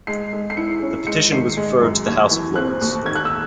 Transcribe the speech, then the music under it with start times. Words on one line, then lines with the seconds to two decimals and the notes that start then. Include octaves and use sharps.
The petition was referred to the House of Lords.
0.07 G#3 C7
0.33 G#3
0.50 C7
0.57 E4 C#7
0.83 C#4
1.07 G#3 C#7
1.32 D#3 C7
1.57 G#3
1.82 F#2
2.06 D#2 G#6
2.31 E3
2.55 C4 F#6
2.81 D#2
3.05 D#3 G#6
3.15 F#6
3.25 E6